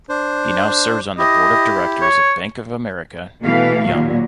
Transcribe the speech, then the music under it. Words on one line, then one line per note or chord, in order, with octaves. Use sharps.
He now serves on the Board of Directors of Bank of America, Yum!
D4 C5
E4 G4 D#5
C#5
B2 E3 A3 F5
D#2 A#2 F#3